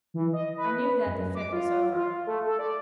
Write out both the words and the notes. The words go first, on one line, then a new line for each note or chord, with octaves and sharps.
I knew that the fit was over.
E3
D#5
B4
F#2
D6
F4
F4
A3
A4
D5